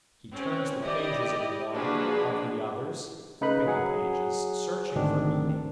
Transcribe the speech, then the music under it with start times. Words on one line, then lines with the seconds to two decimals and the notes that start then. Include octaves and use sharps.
He turns the pages of one, of the others, flipping the pages, searching for meaning.
0.34 C4 C#4
0.82 E4 G4 D5 D#5
1.73 F3 A#3 D4 F#4 G#4 B4
3.41 C#3 D#4 B4 B5 F#6
3.67 F#3 G#4 F#5
4.95 G#1 D2 D#3 C4 D4